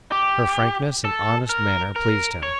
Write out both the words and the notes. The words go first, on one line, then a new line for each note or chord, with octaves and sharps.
Her frankness and honest manner pleased him.
G4
A4
A#4
A#4
C#5